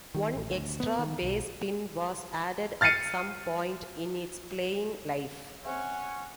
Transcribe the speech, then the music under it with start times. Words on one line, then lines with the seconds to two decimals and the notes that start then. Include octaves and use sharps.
One extra bass pin was added at some point in its playing life.
0.15 D#3
0.35 A1
0.50 D2
0.80 B3
0.99 D#3
1.22 B1
2.81 F6 A6 C7 C#7 D#7
5.65 C4 C#4 E5 F#5 G#5